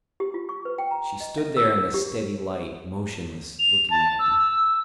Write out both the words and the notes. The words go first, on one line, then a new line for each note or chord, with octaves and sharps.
She stood there in the steady light, motionless, looking at him.
G4
F4
C#6
B4
G5
A#5
D#5
E5
E6
A#4
G4
F7
A5
E6